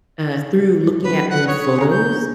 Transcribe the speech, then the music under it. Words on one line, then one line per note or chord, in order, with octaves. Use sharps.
uh through looking at old photos,
D3 F#3 B4
F#5
C#5 D#6
G#5 A#5
G6
D3 G#3